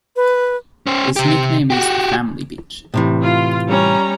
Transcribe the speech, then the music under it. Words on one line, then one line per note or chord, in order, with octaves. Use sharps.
Its nickname is "The Family Beach".
B4
C#4 C5
C3 G4
F#4 G4
A2 C3 E3
F4
G3 C#4 A#5